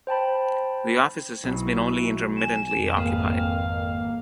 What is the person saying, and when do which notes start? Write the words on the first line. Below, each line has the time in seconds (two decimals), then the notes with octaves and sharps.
The office has since been only intermittently occupied.
0.07 C5 G5 A5 B5
1.44 B1 E4 F#4
2.37 G#5 E7
2.72 F2
2.97 G#1 A#3 G#4 B4 F5